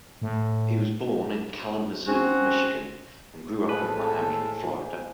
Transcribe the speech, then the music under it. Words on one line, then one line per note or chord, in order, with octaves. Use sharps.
He was born in Kalamazoo, Michigan and grew up in Miami, Florida.
A2
C4 C#4 F#4
A2 F3 G#3 A4 B4 E6